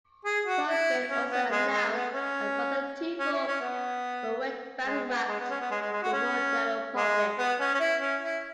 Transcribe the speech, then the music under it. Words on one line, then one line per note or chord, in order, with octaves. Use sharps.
CrossGen also announced a further two books, but went bankrupt before they were published.
G#4
F#4
E4
C#4
B3
G#3
G#3
B3
C#4
C#4
E4
C#4
B3
G#3
B3
G#3
B3
C#4
B3
G#3
G#3
G#3
F#4
C#4
G#3
B3
C#4
C#4
E4
C#4
E4